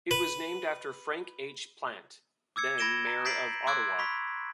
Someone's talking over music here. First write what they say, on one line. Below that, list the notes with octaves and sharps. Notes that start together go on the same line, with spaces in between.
It was named after Frank H. Plant, then mayor of Ottawa.
B4
D6 E6 G#6 C#7
B5 G#6 A#6 D7 E7 G7
A#5
G6 A6 B6 C7 D7 F#7
C6 D6 E6 F#6 G#6 D7
B5 C#6 B6